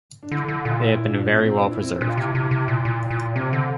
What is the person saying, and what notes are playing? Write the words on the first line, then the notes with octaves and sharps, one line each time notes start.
They have been very well preserved.
D4
D3 E4
D3
A#2
F4
E4
D4
C4
C4
D4
E4
C4
A#2 D4
F4
C3 E4
C3 E4
C3
A#2
A#2
A#2
C3 C4
D3